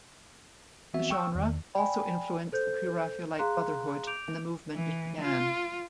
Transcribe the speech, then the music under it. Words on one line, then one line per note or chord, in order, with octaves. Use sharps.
The genre also influenced the Pre-Raphaelite Brotherhood and the movement it began.
E3 B3 C4 F#4 E5
G5 C#6 E6
E2 D#3
D5 G5 G#5 B5
A4 C5 G6
G#4 F5 A#5 C6 F#6
D6 G6 D7 F7
E3
F4